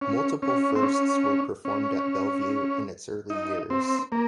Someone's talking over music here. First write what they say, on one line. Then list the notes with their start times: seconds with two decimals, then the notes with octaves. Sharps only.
Multiple firsts were performed at Bellevue in its early years.
0.01 C#4
0.42 C#4
0.76 C4
0.83 C#4
1.65 C#4
3.30 D#4
3.70 C4
4.12 A#3